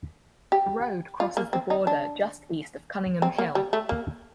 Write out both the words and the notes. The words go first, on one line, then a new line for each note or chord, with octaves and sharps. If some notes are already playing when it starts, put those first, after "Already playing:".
The road crosses the border just east of Cunningham Hill.
G4
F4
A#3
C4
D#4
D4
C4
A#3
G3
A3
A#3